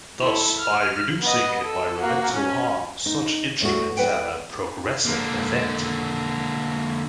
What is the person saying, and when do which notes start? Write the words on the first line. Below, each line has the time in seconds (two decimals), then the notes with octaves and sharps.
Thus by reducing environmental harm, such instruments have a progressive effect.
0.20 E4 A4
0.59 F6
1.21 B3 D#5
1.63 A4
2.00 A#3 F#4
2.33 C#4
3.06 D#4
3.61 E2 A2 A3 F#4
3.97 E2 G3 B4 F#5 G5
5.05 D3 A#3